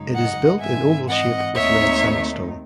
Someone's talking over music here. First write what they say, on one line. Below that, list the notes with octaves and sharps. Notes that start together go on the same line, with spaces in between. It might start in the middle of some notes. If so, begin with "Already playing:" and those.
It is built in oval shape with red sandstone.
Already playing: F#2 C#3 G#3 D#4
D#5 F#5
G#2 E3 C4 E5 G#5
D#5 F#5
D#2 D#3 A3 C4 D#4 C#5 E5